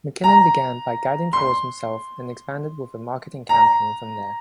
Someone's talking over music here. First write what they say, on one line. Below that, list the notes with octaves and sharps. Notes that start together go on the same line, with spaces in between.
McKinnon began by guiding tours himself and expanded with a marketing campaign from there.
A#5
C6
A#5